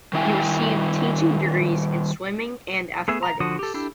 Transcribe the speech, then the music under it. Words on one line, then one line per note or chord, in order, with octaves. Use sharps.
He received teaching degrees in swimming and athletics.
D#3 G3 E4 E5 G5 G#5
A3 B3 G#4 E5
A#5
D3 F3 F#4 D#6
G4 A4
D4 E4 G4 A4